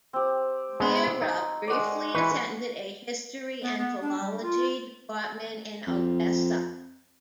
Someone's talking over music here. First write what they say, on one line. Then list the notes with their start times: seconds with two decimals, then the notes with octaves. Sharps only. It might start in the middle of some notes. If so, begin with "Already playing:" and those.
Vera briefly attended a History and Philology department in Odessa.
0.13 C4 G4
0.80 G#3 B3
1.22 D#4
1.68 G#3 F#4 D5
2.15 E3 B4 C#6
3.62 B3
3.78 B3
4.01 D4
4.21 G3
4.42 F4
5.87 F2